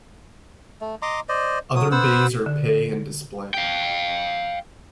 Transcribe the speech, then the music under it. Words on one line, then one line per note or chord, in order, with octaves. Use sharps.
Other bays are pay-and-display.
A3
D#5 A#5 C6 D6
C5 D5 D#5
F#3 D#6
B3 C5 F#5 E6
D3
F5 G5